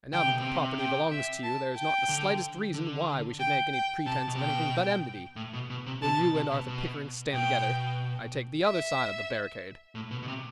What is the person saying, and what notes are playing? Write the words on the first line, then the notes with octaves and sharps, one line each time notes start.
And now that the property belongs to you, there is not the slightest reason why we should make any pretense of anything but enmity. When you and Arthur Pickering stand together I take the other side of the barricade!
D3 G5
C3
B2
C3
G5
E5
A5
G5
D3
D3
G5
G5
C3 A5
B2
C3
B2 G5
B2
A2
B2
B2
C3
C3 A5
B2
C3
B2
B2
B2 G5
E5
A2
B2
B2
C3